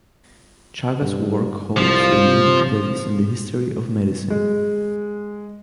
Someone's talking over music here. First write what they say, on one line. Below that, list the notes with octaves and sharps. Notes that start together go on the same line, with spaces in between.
Chagas' work holds a unique place in the history of medicine.
G2
C2 F3
C3
G#3